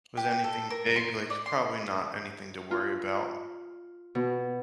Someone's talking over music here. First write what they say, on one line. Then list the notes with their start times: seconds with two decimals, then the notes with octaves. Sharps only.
Was anything big like, probably not anything to worry about.
0.17 G4
0.31 G5
0.44 A4
0.70 A#4
0.96 C6
1.30 D5
1.46 C6
2.71 F4
4.15 B2